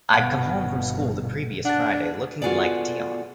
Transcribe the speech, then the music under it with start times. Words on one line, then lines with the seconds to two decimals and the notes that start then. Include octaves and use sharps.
I'd come home from school the previous Friday looking like Dion.
0.13 G1 B2 F#4 F5 B5
1.65 D4 F#5 A5
2.42 B3 F4 F#4 G#4 A4 D5